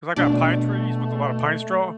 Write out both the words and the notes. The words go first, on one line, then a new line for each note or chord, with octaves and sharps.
'cause I got pine trees with a lot of pine straw
B2 A3 D4 D5